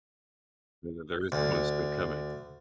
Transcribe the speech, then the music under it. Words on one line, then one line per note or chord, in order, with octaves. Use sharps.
Though there is one still coming.
D2